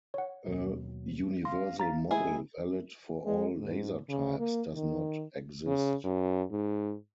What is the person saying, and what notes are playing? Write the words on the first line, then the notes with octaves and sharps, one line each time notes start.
A universal model valid for all laser types does not exist.
C#5 F#5
D#2 B2 F#3
F5 C6 A#6
F5 A#5 A6 B6
G#3 A#3 E4 G#4 G#5
G#3
G#2
C#3
A#3
D#3
C#3
F#2
G#2